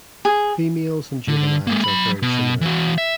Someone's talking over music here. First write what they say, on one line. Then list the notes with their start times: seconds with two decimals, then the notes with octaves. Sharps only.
Females and juveniles are very similar.
0.25 G#4
1.28 D3
1.67 G#3 A#3
1.84 F#3 B5
2.22 B2
2.61 E3 F#4
2.98 E5